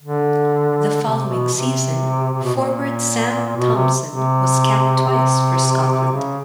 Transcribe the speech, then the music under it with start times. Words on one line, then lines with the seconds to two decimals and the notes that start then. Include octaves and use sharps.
The following season, forward Sam Thomson was capped twice for Scotland.
0.01 D3
1.02 C3
1.28 B2
1.53 C3
2.33 C3
2.43 B2
2.55 A#2
3.56 B2
3.74 C3
4.08 C3
5.09 C3
6.12 C#3